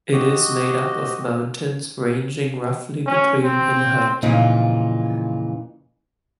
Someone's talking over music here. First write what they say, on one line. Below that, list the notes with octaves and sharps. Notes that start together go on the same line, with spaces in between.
It is made up of mountains ranging roughly between in height.
F#4 G4 D#5
C#4
C4
F2 A#2 C#3 E3 D#4 F4